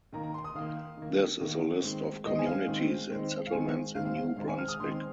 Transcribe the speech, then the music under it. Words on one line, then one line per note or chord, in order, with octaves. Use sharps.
This is a list of communities and settlements in New Brunswick.
D#3 A#3 A#5
A#5
C6
D#6
D#3 A#3 F5
D#3 A#3
D#3 A#3
D#3 G#3 C4
D#3 G#3 C4 D#5
G#5
F5
D#3 G#3 C4
D#3 G#3 C4
F5
D#3 G#3 C4 G#5
D#3 G#3 C4 F5
F5
F5
D#3 G#3 C4 F5
G#5
F6
D#6
D#3 G#3 C4 C6